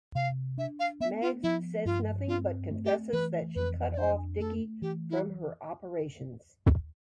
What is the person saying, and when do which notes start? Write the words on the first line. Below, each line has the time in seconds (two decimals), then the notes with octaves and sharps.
Mags says nothing but confesses that she cut off Dickie from her operations.
0.15 C3 F5
0.58 D4 E5
0.80 F5
1.00 B3 E5
1.22 F4
1.43 F3 E4
1.85 G2 F4
2.28 C4 F4
2.71 A3
2.85 G4
3.12 E3 B4
3.55 F2 B4
3.93 D5
3.98 D4 C5
4.40 A3 A4
4.82 E3 G4
5.10 E4